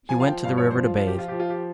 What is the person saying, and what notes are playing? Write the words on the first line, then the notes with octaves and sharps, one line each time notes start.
He went to the river to bathe.
F3 G#5
F5
F3 G5
G2 F5
C#5
F3
C5
F3
F4
F3 F4
G4
F3 F4
F3 G4
F4
G4